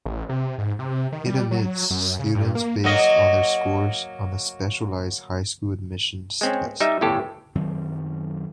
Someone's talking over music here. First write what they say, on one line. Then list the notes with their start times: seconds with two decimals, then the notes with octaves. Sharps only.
It admits students based on their scores on the Specialized High Schools Admissions Test.
0.06 A1
0.29 C3
0.58 G#2
0.79 C3
1.12 D#3
1.27 G3
1.51 F#3
1.90 F#2
2.19 C#3
2.35 G2
2.55 A#3
2.84 F#3 A#3 D#5
6.41 G#3 C4 C#4
6.80 G3 D#4 E5
7.01 G1 E2 A2 G4 A4
7.55 F#2 D#3 F#3 C4